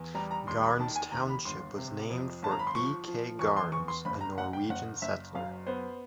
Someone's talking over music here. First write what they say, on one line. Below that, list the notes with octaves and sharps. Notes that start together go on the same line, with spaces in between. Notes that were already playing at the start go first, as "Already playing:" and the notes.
Garnes Township was named for E. K. Garnes, a Norwegian settler.
Already playing: E2
G3 A#5
A#5
D#2 C6
B5
D#3 A5
G#5
D#2 A#5
B5
G1 C6
C3
F2
G1 A5
A#5
B5
C6
F3 C#6
F3
E2 C#6
C6
E2 C#6
C6
F#1 B5
A#5
F#1 F#5
G5
F#1 F#5
F#1 E5
F#2 F5
B3 C5